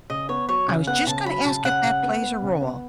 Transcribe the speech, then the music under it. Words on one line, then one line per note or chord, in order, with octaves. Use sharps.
I was just gonna ask if that plays a role.
C#3 D#5
B3 C#5
F#3 C#5
C#3
B3 F#5
C#3 A5
F#3 B5
C#3 A5
C#3 F#5
C#3
B3
B3
C#3
B3